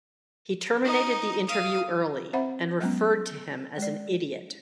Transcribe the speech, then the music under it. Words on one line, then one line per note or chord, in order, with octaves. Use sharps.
He terminated the interview early and referred to him as an idiot.
D#4 D#5
F5 D#6
C4 C5 E5 F#5 B5
F#3 G#3 B3 C#4
G#3 D5